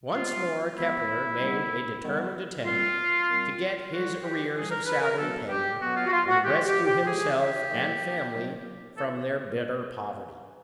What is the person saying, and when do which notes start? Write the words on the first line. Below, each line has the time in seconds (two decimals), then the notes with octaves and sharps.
Once more Kepler made a determined attempt to get his arrears of salary paid, and rescue himself and family from their bitter poverty.
0.11 C3 F3 G#3 B3 F4
0.74 C3 F3 G#3 B3 E4
1.38 D#3 G3 B3
2.01 D#3 G3 B3
2.64 A#2 G3 C4 F4
3.27 A#2 G3 C4
3.90 A2 E3 G3 F#4
4.22 G4
4.54 A2 E3 G3 G#4
4.69 A#4
4.85 B4
5.01 A#4
5.16 B2 F#3 B3 A4
5.48 G4
5.79 B2 F#3 B3 F#4
5.96 F4
6.06 F#4
6.11 F4
6.27 F#4
6.43 A2 E3 G#3 G4
6.64 G4
6.84 G4
7.06 A2 E3 G#3 G#4
7.37 G4
7.69 D#3 F#3 A#3
8.32 D#3 F#3 A#3
8.95 E3 A4